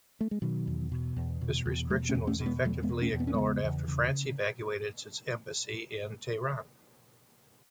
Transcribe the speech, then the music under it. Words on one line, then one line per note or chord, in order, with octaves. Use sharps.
This restriction was effectively ignored after France evacuated its embassy in Tehran.
A3
G#3
B2 D#3 F#3
E2
B2
E2
B2
E2
B2 F#3 A3
A3 C#4
E2
A3 C#4
B2
G#3 B3
E2 F#3 A3
G#3 B3
B2
A3 C#4
E2
B3
C#4
C#3 G#3 B3
E2
C#3